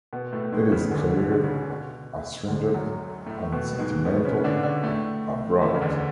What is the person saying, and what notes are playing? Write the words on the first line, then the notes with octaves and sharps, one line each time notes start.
It is clear, astringent, unsentimental, abrupt.
B2 B3
A2 A3
G#2 G#3
C#3
D2 D3
B2
D3
C#3
B2
D2 D3
F#2 F#3
A2 A3
B2 B3
G#2 G#3
B2 B3
C#3 C#4
D3 D4
D3 D4
A2 A3
E2 E3
C#3
D2 D3